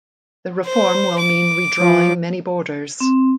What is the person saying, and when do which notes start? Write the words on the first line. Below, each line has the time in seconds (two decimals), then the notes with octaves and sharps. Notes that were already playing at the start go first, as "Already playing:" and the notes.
The reform will mean redrawing many borders.
0.65 C5
1.19 D6
1.80 F3
3.00 C4